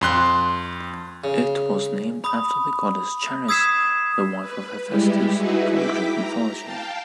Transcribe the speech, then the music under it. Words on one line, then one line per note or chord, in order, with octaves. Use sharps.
It was named after the goddess Charis, the wife of Hephaestus from Greek mythology.
F2 C6 F#6
C#3
B5 D#6
D#6 E6 G#6 B6 C7 E7
B4
G3 G#3 E4 G4
D#4 E4 F#4 G#4 B4 E5
E4 E5 G5 D6 B6
A#5
F5 G5 A5